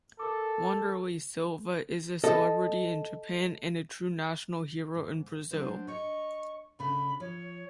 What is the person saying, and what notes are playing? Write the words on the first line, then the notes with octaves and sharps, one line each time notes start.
Wanderlei Silva is a celebrity in Japan and a true national hero in Brazil.
A4 A#4 D6
A4 D#5
G#2
F#3 D4 C5
C#5 D#5 C#6
D2 C#3 D4 B5
F3 C#5